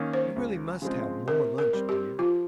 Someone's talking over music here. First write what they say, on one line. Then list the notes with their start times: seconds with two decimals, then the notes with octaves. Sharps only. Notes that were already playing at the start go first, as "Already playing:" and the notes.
'You really must have more lunch, dear.
Already playing: D#3 A#3 C#4
0.13 C5
0.36 C#2
0.82 C#3 F3 G#3 C4
1.28 C3 A#4
1.58 A#4
1.73 G3 C4
1.89 G4
2.18 F3 F4